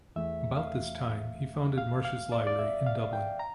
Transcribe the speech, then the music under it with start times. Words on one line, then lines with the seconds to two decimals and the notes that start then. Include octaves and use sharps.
About this time he founded Marsh's Library in Dublin.
0.16 E2 E3 A3 E5
0.56 F5
1.78 F5
2.05 F5
2.32 D5
2.47 D5
2.59 E5
2.86 F5
3.13 G5
3.39 A#5